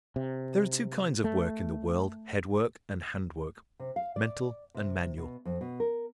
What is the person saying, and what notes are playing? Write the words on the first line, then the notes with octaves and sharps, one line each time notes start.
There are two kinds of work in the world--head work and hand work; mental and manual.
C3
A3
C3
F5
D5
C3
B2
F2
B2
A#4